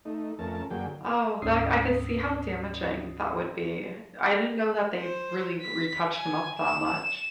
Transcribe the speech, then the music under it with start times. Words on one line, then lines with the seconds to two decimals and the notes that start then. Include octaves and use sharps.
Oh, that, I could see how damaging that would be. I didn't know that they really retouched 'em up that much.
0.05 A3 D#4
0.39 F2 A3 C#4 A#4 A5
0.70 F#2 D3 F#3 A#3 G#4 G5
1.42 D2 G#2 C#4 D#6 E6 C7
4.97 C5
5.61 B6
6.14 G#5
6.59 E7